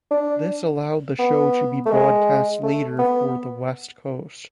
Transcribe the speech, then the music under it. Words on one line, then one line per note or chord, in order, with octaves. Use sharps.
This allowed the show to be broadcast later for the West Coast.
D4
B3
A3
G#3
A3
B3